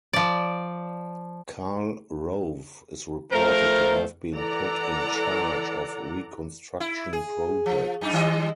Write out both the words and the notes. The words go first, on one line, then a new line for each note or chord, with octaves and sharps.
Karl Rove is reported to have been put in charge of reconstruction projects.
F3 D5
F3 A3 A#4 C5
E3 A4 D5 F#5 A#5
E4
G#4
F3
F#2 D#4
D#3 G3 D#5